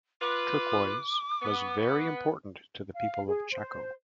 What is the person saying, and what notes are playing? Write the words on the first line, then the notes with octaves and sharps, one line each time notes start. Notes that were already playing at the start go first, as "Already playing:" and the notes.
Turquoise was very important to the people of Chaco.
F4 B4 D6
B3
F5
G#4
C5